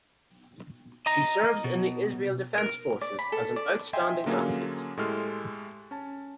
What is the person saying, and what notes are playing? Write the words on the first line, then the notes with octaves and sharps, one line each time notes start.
She serves in the Israel Defense Forces as an outstanding athlete.
D#5 A#5
B2
A#4
D5
B5
A4
D5
D#5 E5 G5 G#5 C6
D3 F#3 A#3 C#4 F4 G#4
A2 G#3 G4 A4 C6 F6
C#4 A5